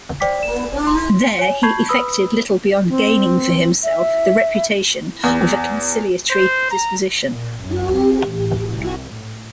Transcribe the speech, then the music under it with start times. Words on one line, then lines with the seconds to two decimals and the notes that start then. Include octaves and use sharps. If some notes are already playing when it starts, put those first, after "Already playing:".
There he effected little beyond gaining for himself the reputation of a conciliatory disposition.
0.20 C5 D5 G5 D6 B6
0.39 D5 E7
0.87 C6
1.39 C#5 G#5
1.63 A5 B5 C#6 G6 G#6 C7
1.89 B4 B5 D#6 E6
2.89 C4
3.84 E5
5.23 E2
6.30 C5
6.71 A#5
7.29 A#2
7.61 F#2
7.94 C4
8.28 A1
8.74 C2
9.13 A2